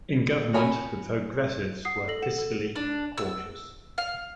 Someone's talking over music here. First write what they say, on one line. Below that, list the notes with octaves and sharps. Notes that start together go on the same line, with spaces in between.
In government, the Progressives were fiscally cautious.
F#4 A#4 C#5 G#5 A#5 B5
F#5 D#6 C7
A4 A#6 F#7
F#5 E7
A4
D4
E6
F5